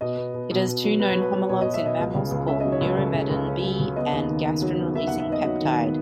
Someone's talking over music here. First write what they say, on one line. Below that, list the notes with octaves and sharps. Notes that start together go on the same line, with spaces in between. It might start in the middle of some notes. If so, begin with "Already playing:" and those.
It has two known homologs in mammals called neuromedin B and gastrin-releasing peptide.
B2 D#5
B3
B2
B2
B2
F#3
F#3 B4
C#5
F#3
B4
F#3
B2 C#5
D#5
B2
E5
B2 D#5
C#2
C#3
C#2
C#4 E5
D#5
F#3
C#5
C#2
C#3 A4
C#3
C#2
C#4
F#3
C#3
B3 D#5
D#2
D#3
D#3
F#3
B3
D#3 E5
F#5
D#2
E5
B3 D#5
F#3
D#3
B3